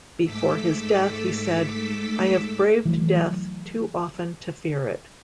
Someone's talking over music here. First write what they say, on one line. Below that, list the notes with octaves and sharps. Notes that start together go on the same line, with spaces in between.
Before his death, he said; I have braved death too often to fear it.
G#2 A3 A4 D6 E6 B6
E3 F#3 A3